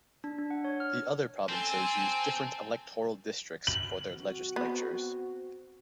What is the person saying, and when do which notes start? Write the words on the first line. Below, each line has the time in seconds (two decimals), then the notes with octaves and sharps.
The other provinces use different electoral districts for their legislatures.
0.24 D4
0.38 D4
0.51 F#5
0.65 C#5
0.80 F6
1.49 C4 A4 G#5
3.67 F#7
4.13 C4 F#4
4.56 B3